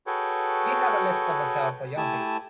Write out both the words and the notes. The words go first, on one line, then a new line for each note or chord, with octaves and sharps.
Do you have a list of motel for young people?
F#4 G#4 A4 B4 C#5 G5
A3 E4 G4 G#5 A5